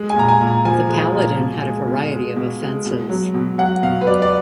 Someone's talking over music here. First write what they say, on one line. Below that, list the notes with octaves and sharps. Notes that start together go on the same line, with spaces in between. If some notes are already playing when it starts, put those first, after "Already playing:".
The Paladin had a variety of offenses.
Already playing: G#3
G#5
A#2 A#5
G#5
A#2
A#5
F3 G#5
G#3
A#2
B2
G#3
B2
G#3
B2
G#3
B2
F#3
B2
F#3 F#5
B2 F5
B4
F#3 D5
D5